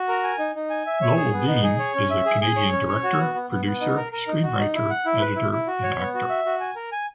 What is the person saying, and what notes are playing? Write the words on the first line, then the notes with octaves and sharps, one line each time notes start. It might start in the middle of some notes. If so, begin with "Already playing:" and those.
Lowell Dean is a Canadian director, producer, screenwriter, editor and actor.
Already playing: F#4
A#4
G#5
D#4
D#4
G#5
E5
C#5
G#4
B3
D#4
G#4
C#5
C#4
E5
G#4
G#4
C#5
C#4
C#5
F#4
B3
B3
B3
B3
D#4
A#4
A#4
D#4
F#4
D#4
E4
F#5
E4
B4
E4
E4
F#4
C#5
B3
F#4
E5
F#4
G#5
A#4
G#5